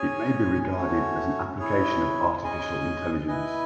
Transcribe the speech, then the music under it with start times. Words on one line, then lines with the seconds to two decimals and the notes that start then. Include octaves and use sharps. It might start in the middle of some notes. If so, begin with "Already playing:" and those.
It may be regarded as an application of artificial intelligence.
Already playing: C#4 G#4 C#5 G#5
0.75 A3 C#4 F#4 C#5
1.59 E4 G#4 C#5
2.43 C#4 G#4 D#5 G#5
3.28 E4 B4 D#5 G#5